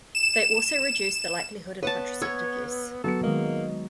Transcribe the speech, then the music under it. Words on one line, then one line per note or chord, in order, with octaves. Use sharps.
They also reduce the likelihood of contraceptive use.
E7
B3 B4 C#5 F#5 A5
C#5 E6 G#6
F#3 B3 A4 C#7
D#3 G#3 A#3 D#5